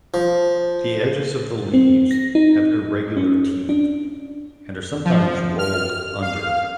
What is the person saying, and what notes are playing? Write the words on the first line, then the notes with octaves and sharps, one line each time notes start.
The edges of the leaves have irregular teeth and are sometimes rolled under.
F3
C4
A#6
D#4
C#4
D4
F3
F6
F5